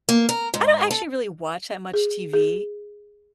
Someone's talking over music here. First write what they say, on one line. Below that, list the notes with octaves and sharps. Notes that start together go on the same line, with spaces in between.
I don't actually really watch that much TV.
A#3
A#4
G#2
A4
G#4
G#4